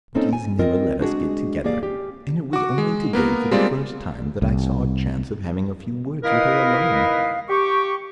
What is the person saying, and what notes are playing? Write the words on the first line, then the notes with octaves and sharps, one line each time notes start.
But he has never let us get together and it was only today for the first time that I saw a chance of having a few words with her alone.
A#3 C4 C#4 D#4 A4
G#5
C4 F4 A#4 D#5
G#3 D4 F#4 G#4
A#3 G4 G#4 D5 F5
C#4 G4
F#4 D6
G#3
A#3 B3 A#4
G3 G#3 A#3 C4 F4 D5
C2
D#4 E4 A#4 B4 D#5 F5
G4 C#6